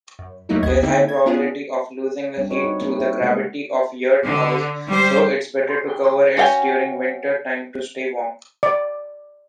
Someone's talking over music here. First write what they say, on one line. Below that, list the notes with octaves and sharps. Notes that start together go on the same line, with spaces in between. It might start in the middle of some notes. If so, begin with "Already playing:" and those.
There is a high probability of losing a heat through the gravity of yurt house, so its better to cover it during winter time to stay warm.
F#2
F#2 F#3 A3 A#3 D#4 E4
A#1 D#2 B3 D#5 G#6
D3 A#3 C4 D#4 E4
G#6
B3 C#4 D4 F4 F#4 G#4
G3 C4 D4
D4 F#4 B4 C#5 D#5
D#4
A#3 C4 D4 G#4 B4
C#5 E5
C3 G#3 A#3 F5 F#5
D3
G3 C5
C#4 F#4 F5 G5 G#5
D5